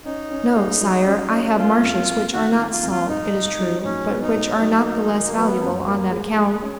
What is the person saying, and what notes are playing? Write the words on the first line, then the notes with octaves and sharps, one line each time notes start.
"No, sire, I have marshes which are not salt, it is true, but which are not the less valuable on that account."
C#4 D#4
C#4
G#4
F#3
C#4
C#4
A#3 F4
F2
F2
D#3 F#4
F4
D#3
F4
F2
F4
G#2 D#4
G#2
F#3
G#2 C#4
B3
D#4
G#2
C#4
F#3 D#4
A#3
D#3
A#3
F#3 B3
F#2
A#3
G#3
G#3
C#4